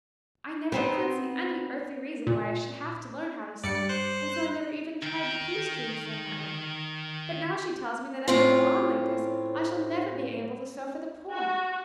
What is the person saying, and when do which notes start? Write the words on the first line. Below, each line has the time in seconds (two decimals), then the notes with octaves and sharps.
I never could see any earthly reason why I should have to learn how to sew, and so I never even tried to please Teresa in that way. But now she tells me that if I go on like this I shall never be able to sew for the poor.
0.72 B3 C4 D#4
2.27 A#2
3.64 G2 G3 D5 C#7
3.89 C5 F#6
5.03 D#3 G5
8.28 A2 C4 C#4 F4
11.31 F#4